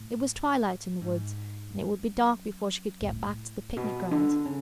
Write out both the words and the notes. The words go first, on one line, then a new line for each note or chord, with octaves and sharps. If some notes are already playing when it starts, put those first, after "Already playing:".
It was twilight in the woods, and it would be dark before she could get back to the picnic-grounds.
Already playing: A2
G#2
F#2
B2
A2
B2
D3
C#3